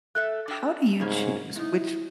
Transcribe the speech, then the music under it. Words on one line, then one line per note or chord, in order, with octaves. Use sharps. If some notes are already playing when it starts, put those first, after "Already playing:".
how do you choose which
A3 A4 E5 F#6
D4 G5
G#2 C#3 A#3 C#4
C3 D#4 E4